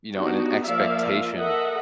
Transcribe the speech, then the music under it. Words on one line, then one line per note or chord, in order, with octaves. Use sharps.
you know, and an expectation,
B3 D4 D#4 F#4 G4
F3 A#3 D5 E5 F5
A4 A#4 D#5 E5 F#5